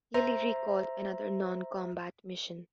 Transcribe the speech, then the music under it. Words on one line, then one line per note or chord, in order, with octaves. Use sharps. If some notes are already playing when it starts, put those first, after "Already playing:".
Lilly recalled another non-combat mission.
C5 E5 A#5